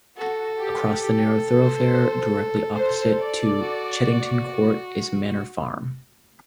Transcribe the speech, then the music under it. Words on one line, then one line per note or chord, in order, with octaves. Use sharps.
Across the narrow thoroughfare, directly opposite to Chedington Court, is Manor Farm.
F#4 A4
G4
G4
C5
C5
D5
F#4